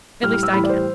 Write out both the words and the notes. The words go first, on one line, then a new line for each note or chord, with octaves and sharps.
At least I can.
A2 G3 F6
F6
E6
A2 E3 G3 B5
D5
C5